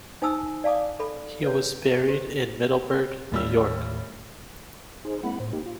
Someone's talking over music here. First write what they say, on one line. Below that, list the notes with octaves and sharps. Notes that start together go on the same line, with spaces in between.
He was buried in Middleburgh, New York.
D#4 C5 G#5 A5 D#6 E6
D5 F5 A5 D6 D#6
A4 B5
B4 C#5
G4 C5
A1 D#2 A2 G3 E6
D#4 G#4 C5
G#3 A#3 C4 E4 F#5 B5
A2 C5
A#3 D#4 G4
F4